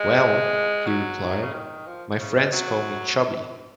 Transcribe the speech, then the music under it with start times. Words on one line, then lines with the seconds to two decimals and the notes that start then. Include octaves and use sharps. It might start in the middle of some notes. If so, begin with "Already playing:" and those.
"Well", he replied, "my friends call me 'Chubby'".
Already playing: G#3
0.86 F#3
1.42 C#3
1.53 D#3
1.87 F3
2.19 C#3
2.36 G#3
2.52 F#3